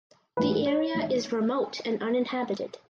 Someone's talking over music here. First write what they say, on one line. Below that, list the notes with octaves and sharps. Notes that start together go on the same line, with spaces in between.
The area is remote and uninhabited.
A1 G#2 E3 B4
C#5
G#1 G#2 E3